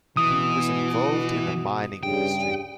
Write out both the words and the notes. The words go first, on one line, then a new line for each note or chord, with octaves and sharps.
He was involved in the mining industry.
B2 E3 D#6
G2 C#3 G5